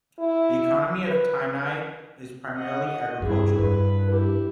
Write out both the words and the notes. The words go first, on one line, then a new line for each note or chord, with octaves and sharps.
The economy of Tainai is primarily agricultural.
E4
B4
D#5 F#5
G2 E4 G#4
G2 B4
E4 G4